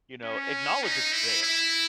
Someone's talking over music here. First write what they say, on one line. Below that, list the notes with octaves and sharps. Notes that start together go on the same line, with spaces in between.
You know, acknowledge it's there.
C#4
D#4
E4
E4